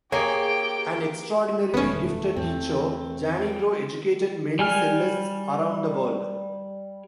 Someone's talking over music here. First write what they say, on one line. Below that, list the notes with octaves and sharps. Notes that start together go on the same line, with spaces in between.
An extraordinarily gifted teacher, Janigro educated many cellists around the world.
A#3 G4 G#4 C#5 G5
E1 F#2 D#3 A3 B3 C#4
E2 C4
G3 G5
G3 G#5 F6